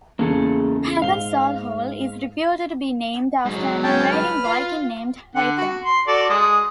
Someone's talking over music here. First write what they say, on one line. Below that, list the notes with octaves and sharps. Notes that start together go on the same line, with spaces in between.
Hackensall Hall is reputed to be named after an invading Viking named Haken.
E2 C#3 A#3 G#4 A4
G#2 F5 G7
G#2 F#3
C#4 G5 A5
B4 F6
F4 F5
D3 F#5
F#4
C6
F#4 A4 D5
G#3 D#6